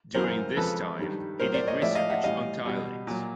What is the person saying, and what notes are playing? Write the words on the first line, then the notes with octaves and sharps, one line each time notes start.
During this time he did research on tilings.
F#2 C#3 E3 A#4 C5
F2 C#3 F3 G#3 A4 B4
G2 D#3 G3
A2 F#3 A#4 C5
C5 D5
C#5 D#5
A2 F3 G#3 D5 E5
D#5 F5
E5 F#5
A2 E3 G3 D#5 F5
B2 G3
A#2 F#3